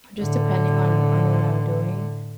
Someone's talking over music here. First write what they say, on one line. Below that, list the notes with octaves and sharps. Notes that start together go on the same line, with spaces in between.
just depending on on what I'm doing.
A2 D3